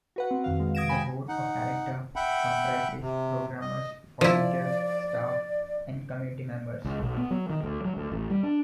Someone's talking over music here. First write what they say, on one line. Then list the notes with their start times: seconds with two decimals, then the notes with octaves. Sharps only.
The Board of Directors comprises programmers, volunteers, staff, and community members.
0.16 F#4 B4 F#5
0.31 C4
0.44 F2 D#3 F5
0.60 G#3
0.75 D#6 G#6 A#6 D7 E7
0.89 G5 G#5 B5
1.28 D#4 F#5
2.16 E5 F#5 G5 B5
3.01 C3
3.61 D#5
4.21 F3 E4 D5
6.84 C#2
7.02 B1
7.17 B3
7.31 F#3
7.50 D#3
7.63 D2
7.85 F#3
7.97 D2
8.12 A1
8.30 G3
8.43 D4